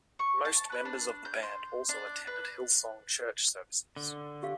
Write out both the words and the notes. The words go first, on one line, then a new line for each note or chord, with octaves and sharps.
Most members of the band also attended Hillsong Church services.
C#6
A5
B4
D4
G6
C6
D4
B4
D3
G4 F5